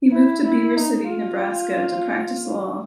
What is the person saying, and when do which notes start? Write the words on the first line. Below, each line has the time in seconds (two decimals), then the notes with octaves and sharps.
He moved to Beaver City, Nebraska to practice law.
0.12 E4
0.44 E4
0.76 D#4
1.10 F4